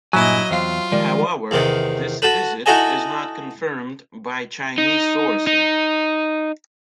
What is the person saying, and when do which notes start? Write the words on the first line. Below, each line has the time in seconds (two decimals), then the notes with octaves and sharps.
However, this visit is not confirmed by Chinese sources.
0.13 G2 A#2 F#3 E4 D#5 G#5
0.51 E2 C4 F4 F5
0.92 D#3 F3 G3 G#3 A#4 D5
1.51 E2 C3 D#3
2.22 F#4 A4 B4
2.66 D#4 E4 F#4 A4 D#5 G#5
4.78 D#4
5.47 D#4